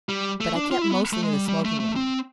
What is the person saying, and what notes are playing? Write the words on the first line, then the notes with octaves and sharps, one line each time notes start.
But I kept mostly in the smoking-room.
G3
A3
D4
F4
E4
B3
A3
G#3
G3
G3
A3
A3
C4